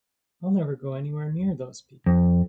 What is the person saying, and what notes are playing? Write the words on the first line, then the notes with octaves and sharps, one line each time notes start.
I'll never go anywhere near those people.
F2